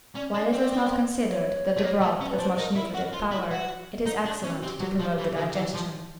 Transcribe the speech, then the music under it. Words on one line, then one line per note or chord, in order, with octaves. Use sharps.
While it is not considered that the broth has much nutritive power, it is excellent to promote the digestion.
C#4 D5
D4
C4
C#5
A3
A#3
A3
C#4
B4
D4 C5
D#4 A#4
E4 A#4
F#4 A#4
F4
E4
F#4
D#4
D4
C#4
F#4
C4 G4
F#3
F3
E3
D#3
E3
F3